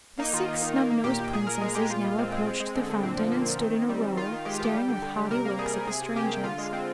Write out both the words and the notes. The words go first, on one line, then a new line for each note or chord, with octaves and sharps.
The Six Snubnosed Princesses now approached the fountain and stood in a row, staring with haughty looks at the strangers.
A#3 D#4
D#3 F4
D#3
D#3
A#3
A#3
A#2 G4
A#2
A#2 G#4
A#2 A#4
G#3 G#4
G#3 G4
A#2 F4
G#3
G#3 C4
G#3 C4
G#3
G#3
D3
D3
A#2 C4
F3
A#3
A#2
D#3
D#3
G3
G3
D#3 F4
D#3
G#3 G4
F4
D#3 G4
G3
D3
D3
G3
C3 A#4
A#3
G3 G#4
G3
C3 G#4
C3
A#3 G4
C3
D3 F4
G#3
G#3 C4